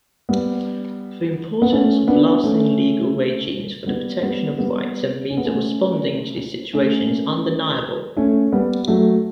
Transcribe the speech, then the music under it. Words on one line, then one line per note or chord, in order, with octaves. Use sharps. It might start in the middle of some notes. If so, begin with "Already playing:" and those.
The importance of lasting legal regimes for the protection of rights and means of responding to the situation is undeniable.
G3 B3
B3
A3 C#4
B3 D4
A3 C#4
G3 B3
G3 B3
G3 B3
C#4
B3
A3 C#4
A3 C#4
A3 C#4
G3 B3
F#3 A3